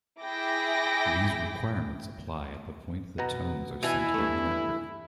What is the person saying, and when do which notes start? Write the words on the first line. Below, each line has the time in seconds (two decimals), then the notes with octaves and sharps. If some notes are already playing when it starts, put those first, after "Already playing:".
These requirements apply at the point the tones are sent on the network.
0.21 E4 G#4 G5 D6 A#6
3.18 B2 B3 A#5
3.83 B2 E3 E4 G#5
4.14 G2 A3